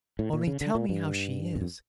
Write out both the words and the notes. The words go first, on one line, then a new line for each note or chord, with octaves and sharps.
Only tell me how she is.
A2
A#2
C#3
D3
A#2
G2
E2
F2